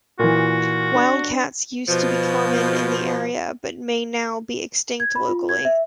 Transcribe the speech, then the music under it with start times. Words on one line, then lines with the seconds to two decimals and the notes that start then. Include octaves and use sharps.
Wildcats used to be common in the area but may now be extinct locally.
0.19 A#2 E3 F#4
0.95 D4
1.88 B2 F3
5.00 G#6
5.15 B5
5.29 F4
5.49 G#6
5.65 E5